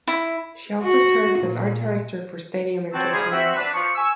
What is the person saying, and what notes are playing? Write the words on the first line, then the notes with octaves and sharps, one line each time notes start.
She also served as Art Director for Stadium Entertainment.
E4
F#4
A#2
C4 F#4 C#5 A5
G#2 C3 F3 G3 G#3 G#4
C4 F#4 E5
D4 B4
F3 C#6
G#5 C#6 E6